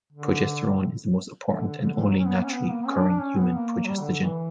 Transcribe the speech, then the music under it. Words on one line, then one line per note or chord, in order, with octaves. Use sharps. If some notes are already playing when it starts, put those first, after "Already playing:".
Progesterone is the most important and only naturally occurring human progestogen.
D3
D3
D3
C#3
D3
D3
F#3
C#4
B3
A#3
C#4
B3
A#3
C#4
D4
D4
C#4
B3
A#3
F#3
G3
D3
D3
E3